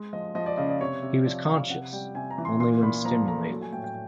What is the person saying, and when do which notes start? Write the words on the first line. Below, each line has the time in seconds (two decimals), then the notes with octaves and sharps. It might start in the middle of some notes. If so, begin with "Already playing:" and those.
He was conscious only when stimulated.
Already playing: G#3
0.13 F3 D#5
0.35 F3 D#5
0.46 D5
0.57 C#3 D#5
0.69 D5
0.80 C3 C#5
1.03 C3
1.25 F3 D5
1.48 C3 F5
1.70 C3 F#5
1.93 G3 G5
2.15 C3 G#5
2.31 A#5
2.38 E3
2.45 C6
2.60 A#2 C6
2.82 A#2 B5
3.05 F3 A#5
3.28 A3 A#5
3.50 F#3
3.61 G#5
3.73 A2 G5
3.84 G5